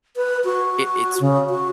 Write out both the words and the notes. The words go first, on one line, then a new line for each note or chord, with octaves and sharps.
it it's
B4
F#4
C#3
F#4